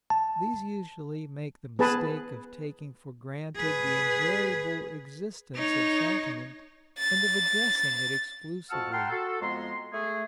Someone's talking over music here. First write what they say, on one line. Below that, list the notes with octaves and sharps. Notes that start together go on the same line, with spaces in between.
These usually make the mistake of taking for granted the invariable existence of sentiment, and of addressing it exclusively.
A5
B3 G#4 B4 A5
G#4 B4
D#4 C#5
A6
F2 F#4 F#5 A5 E6 F6
F#5 G5 A5 A#5 C6 F6
F#4 A4
F2 G#3 B3 A#5 C6
A3 G#4